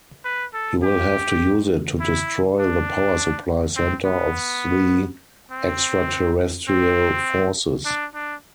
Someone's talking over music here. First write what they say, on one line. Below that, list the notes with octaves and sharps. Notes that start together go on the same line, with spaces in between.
He will have to use it to destroy the power supply center of the extraterrestrial forces.
B4
A4
G4
E4
D4
C4
B3
C4
C4
D4
D4